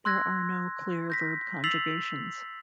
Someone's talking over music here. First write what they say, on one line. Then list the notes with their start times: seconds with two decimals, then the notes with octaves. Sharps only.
There are no clear verb conjugations.
0.05 C6 E6 F#6 G#6 A#6
1.10 G6 A#6 B6
1.64 E6 A6 B6 C7 F7 F#7